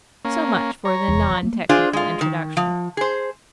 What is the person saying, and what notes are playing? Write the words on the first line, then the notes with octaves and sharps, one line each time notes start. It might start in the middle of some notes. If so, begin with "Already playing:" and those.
So much for the non-technical introduction.
A#3 C#4
C#5 A#5
F1 E2
A3 A#3
D4 F4 G#4 C5
G#3 F4
D#3
F3
G#4 C5